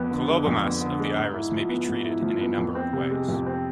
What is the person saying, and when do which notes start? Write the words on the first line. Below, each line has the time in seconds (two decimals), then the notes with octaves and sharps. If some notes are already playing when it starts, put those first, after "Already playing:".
Colobomas of the iris may be treated in a number of ways.
Already playing: F2 B3
0.11 D3
0.28 G#3
0.47 F2
0.63 B3
0.81 D3
0.99 G#3
1.17 G#2
1.34 E4
1.52 F3
1.69 B3
1.88 G#2
2.05 E4
2.22 F3
2.40 B3
2.58 F2
2.75 C4
2.93 C3
3.11 G#3
3.28 F2
3.46 C4